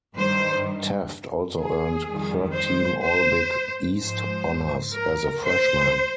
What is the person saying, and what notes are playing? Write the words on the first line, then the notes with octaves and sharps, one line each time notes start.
Taft also earned Third Team All Big East Honors as a Freshman.
G2 D#3 G3 C5
G#4
F2 D#3 G3
C5
C5
G#2 F3 C5
A#4
C5